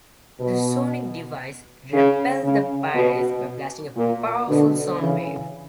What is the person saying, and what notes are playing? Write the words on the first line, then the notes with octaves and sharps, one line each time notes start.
The sonic device repelled the pirates by blasting a powerful sound wave.
B2
C#3
C#3
B2
A#2
B2 D3
C#3 E3